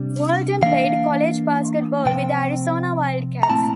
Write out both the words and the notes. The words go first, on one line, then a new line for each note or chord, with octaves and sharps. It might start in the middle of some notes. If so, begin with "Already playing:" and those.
Walton played college basketball with the Arizona Wildcats.
Already playing: C3 G3 D4
E3 A#3 D4 F5
C3 F3 C4 G5
A#5
A#2 A3 C4 E4 A5